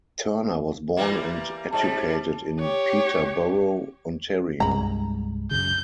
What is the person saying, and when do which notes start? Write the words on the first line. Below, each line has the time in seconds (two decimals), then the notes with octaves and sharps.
Turner was born and educated in Peterborough, Ontario.
0.97 E3 G3 A#3
1.73 G#2 G3 A5
2.59 G4 C#5
4.60 C2 G2 G#3 A#5 B5
5.51 F#2 C#3 G6